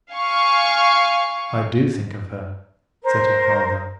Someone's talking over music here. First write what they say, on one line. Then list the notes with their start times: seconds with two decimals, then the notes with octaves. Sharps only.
"I do think of her," said her father.
0.12 F5 G#5 C#6
3.03 A#4 C5